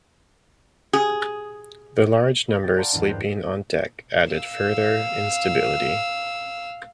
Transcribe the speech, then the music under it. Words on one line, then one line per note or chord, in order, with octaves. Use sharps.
The large numbers sleeping on deck added further instability.
G#4
B5
F#5 G5 G#6 A6
D5 F5 F#5 A5 A#5 C6
G1 E2 G#2 D4
G2 G4 A#4 C5 G5 F#6
F5 E6